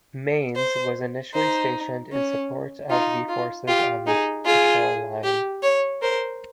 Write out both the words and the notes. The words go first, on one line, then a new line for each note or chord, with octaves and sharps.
"Mainz" was initially stationed in support of the forces on the patrol line.
C5
D#4 C5
C#4
D#4 F4
F4
F4 G4
D#4 G#4
F4 G#4
G4
C#5
A#4 C5